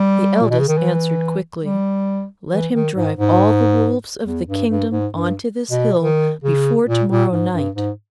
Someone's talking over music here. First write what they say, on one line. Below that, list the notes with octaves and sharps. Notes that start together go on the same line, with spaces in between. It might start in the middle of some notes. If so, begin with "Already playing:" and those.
The eldest answered quickly, 'Let him drive all the wolves of the kingdom on to this hill before to-morrow night.
Already playing: G3
A#2
B2
C#3
D#3
E3
G3
E3
D#3
G#2
G#2
E2
G2
G2
G#2
G2
B2
D#3
C#3
A#2
A#2
G#2
G2
G#2